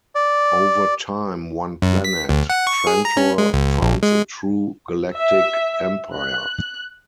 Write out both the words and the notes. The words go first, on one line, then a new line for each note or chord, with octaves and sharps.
Over time one planet, Trantor, founds a true Galactic Empire.
D5
F#2
B6
D2
F#5
C#6
G#4
A#5
C#4
G#3
C#2
A#1
G#3
E5
F#6